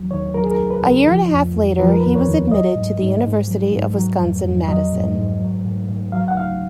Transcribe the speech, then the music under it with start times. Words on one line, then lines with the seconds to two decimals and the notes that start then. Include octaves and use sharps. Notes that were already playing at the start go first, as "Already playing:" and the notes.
A year and a half later he was admitted to the University of Wisconsin-Madison.
Already playing: D#2 F#3
0.11 D#2 C#5
0.34 F#3 A#4
0.43 G#4
0.51 A#4
0.59 C#2
0.70 B4
0.83 C#2
1.07 F3
1.31 F2
1.55 F2
1.79 F3 B4
1.90 A#4
2.01 B4
2.04 D#2
2.15 C#5
2.27 D#2
2.51 F#3 D#5
2.75 G#2
3.00 G#2
3.24 G#2
3.48 F#3
3.72 G#2
3.96 F#3
4.19 F2
4.44 F2
4.68 F#3 D#5
4.92 G#2
5.16 G#2
5.40 F#3
5.65 G#2
5.89 G#2
6.12 F#3 F5
6.28 F#5
6.37 C#2 F5